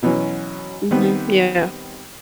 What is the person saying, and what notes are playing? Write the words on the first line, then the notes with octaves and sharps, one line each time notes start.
Mhm. Yeah.
B2 E3 F#3 C#4
D#3 G3 B3 C4 B4